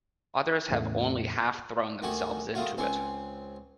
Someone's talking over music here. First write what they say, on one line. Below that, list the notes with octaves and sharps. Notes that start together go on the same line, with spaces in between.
Others have only half thrown themselves into it.
E2 A2 C#3 A3
D2 D#3 F#4 G4 G#5 C#6
D#3 G#3 A3 F4 F#4
C#2 C4 G#5